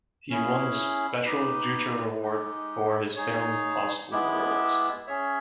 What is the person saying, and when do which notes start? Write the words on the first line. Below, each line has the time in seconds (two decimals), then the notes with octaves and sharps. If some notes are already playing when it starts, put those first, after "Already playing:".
He won the Special Jutra Award for his film "Possible Worlds".
0.30 C#4 E4 G#4
1.25 D#4 G4 B4
2.21 G#3 D#4 G4
3.16 D#4 G#4 C#5
4.11 G#3 B3 E4 G4
5.07 C#4 G#4 C#5 E5